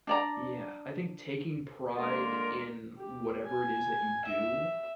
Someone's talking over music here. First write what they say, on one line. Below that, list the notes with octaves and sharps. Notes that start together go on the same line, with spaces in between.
Yeah, I think taking pride in whatever it is that you do,
D4 D5 A#5
D3 G#3 A#3 F4 A#4
G4
G#5
E5